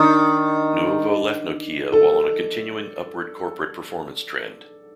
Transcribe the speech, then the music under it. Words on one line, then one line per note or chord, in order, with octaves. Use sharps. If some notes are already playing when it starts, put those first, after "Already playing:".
Nuovo left Nokia while on a continuing upward corporate performance trend.
Already playing: D#3 D4
A4